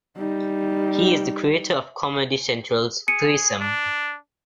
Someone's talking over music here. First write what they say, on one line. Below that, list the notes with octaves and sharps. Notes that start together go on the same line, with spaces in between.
He is the creator of Comedy Central's "Threesome".
G3 D#4
G#4 C#7 D#7
D4